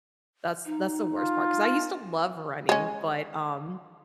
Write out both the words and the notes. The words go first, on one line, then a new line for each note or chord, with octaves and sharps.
that's that's the worst part. 'Cause I used to love running, but, um,
D#4
F4
G#3 C#4